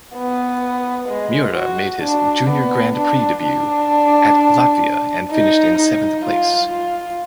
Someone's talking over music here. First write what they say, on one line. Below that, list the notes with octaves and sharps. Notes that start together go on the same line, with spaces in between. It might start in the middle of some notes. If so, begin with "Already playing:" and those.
Miura made his Junior Grand Prix debut at Latvia and finished in seventh place.
B3
G#3
F#4
D4
B3
D4
D4
D#4
D#4
F4
F4